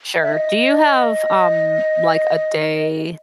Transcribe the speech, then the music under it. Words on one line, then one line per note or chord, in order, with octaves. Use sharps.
Sure. Do you have, um, like a day
E5
D#5